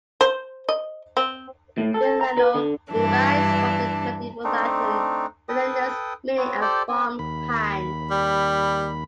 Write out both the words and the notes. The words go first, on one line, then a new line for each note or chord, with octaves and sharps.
"Villano" derives from the Medieval Latin "villanus", meaning a "farmhand".
C5
D#5
C4
A2
A4
A#5
B4
D3
G2 E3 D4
A3 C4 D4 D#4
A4 B4 G5 D#6
B3 C4 C#5
G4 A4 C5 D5
C4 G#5
D#2 B5
G3